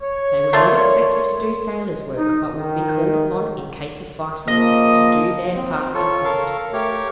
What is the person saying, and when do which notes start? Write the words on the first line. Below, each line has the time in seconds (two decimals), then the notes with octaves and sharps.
They were not expected to do sailor's work, but would be called upon in case of fighting to do their part at that.
0.01 C#5
0.53 A3 F4 A#4 D5 C6
2.17 D#4
2.54 D#3
4.47 C#3 F3 A#3 D#5
5.56 C4
5.94 F4 A4 C#5
6.25 A4 A#4 F5
6.73 A3 G4 A#4 C#5